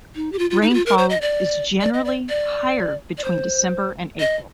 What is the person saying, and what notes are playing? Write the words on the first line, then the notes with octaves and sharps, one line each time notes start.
Rainfall is generally higher between December and April.
D#4
G4
F4
F4
D#4
G4
F4
A#4
C5
D#5
D5
D5
D#5
D5
D5
D5
C5
D#5